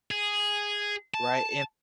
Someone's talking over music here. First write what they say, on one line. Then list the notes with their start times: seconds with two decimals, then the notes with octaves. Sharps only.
right? And
0.11 G#4
1.14 A5